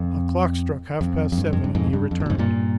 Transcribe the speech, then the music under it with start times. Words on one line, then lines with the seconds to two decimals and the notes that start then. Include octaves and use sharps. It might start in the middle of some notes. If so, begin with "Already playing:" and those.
A clock struck half-past seven, and he returned.
Already playing: F2
1.01 F2
1.32 F2
1.38 G2
1.53 F2
1.64 G2
1.75 F2 G#2
1.93 G2
2.11 F2
2.20 G2
2.26 A#2
2.30 F2 G#2
2.38 G2 A#2